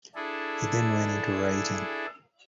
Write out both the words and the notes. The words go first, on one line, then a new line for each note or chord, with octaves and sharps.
He then went into writing.
D4 E4 G#4 A4